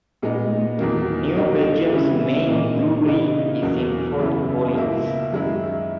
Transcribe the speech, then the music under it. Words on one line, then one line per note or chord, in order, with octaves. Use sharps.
New Belgium's main brewery is in Fort Collins.
A#2 G#3 B3 D#4
E2 D#3 F#3 A#3
D#2 D#3 F#3 A#3 D#4
C#3 E3 G#3 C#4 E4
A#2 A#3 D#4
C#3 E3 B3 D#4
E2 B2 F#3 A#3 C#4
F#2 C#3 E3 B3 E4
C#2 B2 A#3 E4
F#2 D#3 G#3 C#4 E4